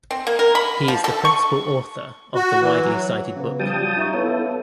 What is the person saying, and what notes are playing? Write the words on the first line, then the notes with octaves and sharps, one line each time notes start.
He is the principal author of the widely cited book.
C4
A#3
A#4
B5
F3
A4
C#6
F#4
E3
F#3
C#3 B3
C#3 F3 G3 G5 A5 D#6
F#3 F4
D#4 E5 C#6
B3 E4 A4 C#5 F5